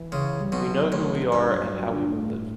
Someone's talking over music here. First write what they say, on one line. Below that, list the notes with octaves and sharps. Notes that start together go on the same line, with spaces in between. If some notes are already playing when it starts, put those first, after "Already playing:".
We know who we are and how we will live.
Already playing: E3
C#2 C#3
G3
B1 B2 F#3
A1 A2
G2 G3
F#3
F#3
D3
A2